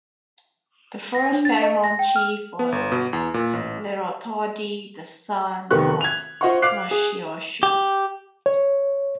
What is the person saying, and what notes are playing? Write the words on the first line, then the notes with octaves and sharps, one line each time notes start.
The first paramount chief was Lerothodi, the son of Moshoeshoe.
A#6
D4
A6
D#5
A#6
G5
F6
B3
G1
B2
E2
A#2
A1
F1 D#3 B3 G4 C#6 F#6
G#6 F7
F4 C5 D#5 F#5 C6 C#6
F5 D6 F#6 C7
G#4
G4
C#5